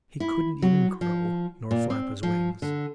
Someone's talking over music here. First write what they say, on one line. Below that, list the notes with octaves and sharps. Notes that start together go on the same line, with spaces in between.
He couldn't even crow, nor flap his wings.
E4
F#3
F3
A#2
C4
F3
D3